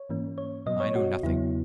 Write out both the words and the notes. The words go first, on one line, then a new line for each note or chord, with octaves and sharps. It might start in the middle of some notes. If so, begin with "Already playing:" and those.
"I know nothing."
Already playing: C#5
G#2 E3 A#3 C#4
C#5
B2 F#3 B3 D#5
C#5
F#4
E2 C#3 F#3 B3 E4